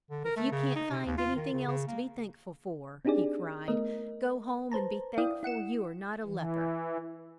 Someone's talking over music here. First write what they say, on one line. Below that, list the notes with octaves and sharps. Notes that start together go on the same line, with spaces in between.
"If you can't find anything else to be thankful for," he cried, "go home and be thankful you are not a leper!"
D3
A#4
A3
C#3
D#4
C3
D#2
F4
D#3
C#3
C#3
A#3
C4 D4 D#4 G4 G#4 D5
A3 B3 A#4 D#5
B4 C5 A5 A#5
E4 D5 F5 G5 D#6
E4 F#5 C#7 E7
E3